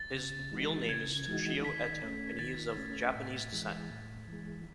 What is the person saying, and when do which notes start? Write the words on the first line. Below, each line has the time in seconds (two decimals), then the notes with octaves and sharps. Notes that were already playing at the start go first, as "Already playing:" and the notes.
His real name is Toshio Eto, and he is of Japanese descent.
Already playing: A6
0.13 C#3
0.51 E3 G#3 D#4 F#4
0.89 C#3 G#6
1.26 E3 G#3 D#4 F#4
1.64 D#3 B6
2.01 A3 C#4 B6
2.39 D#3 A6
2.77 A3 C#4
3.15 A2
3.52 E3 G#3
3.90 A2
4.28 E3 G#3